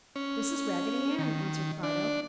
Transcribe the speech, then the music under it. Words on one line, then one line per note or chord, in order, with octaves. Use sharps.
"This is Raggedy Ann," answered Fido.
C#4
D#3
D4